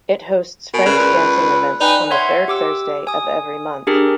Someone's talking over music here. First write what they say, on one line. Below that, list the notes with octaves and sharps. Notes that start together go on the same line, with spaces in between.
It hosts French dancing events on the third Thursday of every month.
B2 A#4 G#5 D7
C#3 B4 D5
C#2
D#4 B4 D5 G5 G#5
C#5 E5 F#5 C6 G#6
G4 D6 E6
G#5 D#6
D4 G4 G#4 A#4